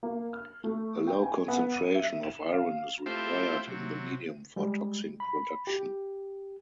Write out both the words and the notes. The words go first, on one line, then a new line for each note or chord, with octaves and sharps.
A low concentration of iron is required in the medium for toxin production.
A#3
F6
A3
G5
G#5
B3
D#7
E5
E7
F5
A3 C4 E4 F4 G4 C5
C3 F#3
G3 G#3
B5
G4